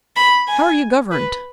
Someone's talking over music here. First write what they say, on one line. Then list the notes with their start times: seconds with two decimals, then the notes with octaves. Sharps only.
How are you governed?
0.16 B5
0.48 G#5
1.12 B4